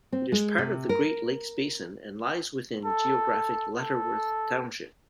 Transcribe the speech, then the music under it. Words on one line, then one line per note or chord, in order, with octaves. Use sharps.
It is part of the Great Lakes Basin and lies within geographic Lutterworth Township.
C4
G#3
C3
A#4
A4
A4